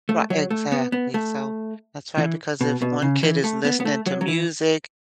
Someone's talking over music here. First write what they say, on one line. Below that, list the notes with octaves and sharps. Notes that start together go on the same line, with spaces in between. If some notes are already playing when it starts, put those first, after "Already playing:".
Ri exactly, so that's right, because if one kid is listening to music,
A3
F#3
A3
B3
B3
A3
E3
B2
B2
C#3
E3
A3
B3
B3
A3
F#3
F#3
E3